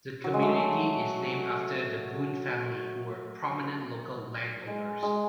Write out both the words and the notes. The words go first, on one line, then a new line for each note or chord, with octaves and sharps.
The community is named after the Boone family, who were prominent local landowners.
F#3
G#3
F#3 A3
G#3
G#3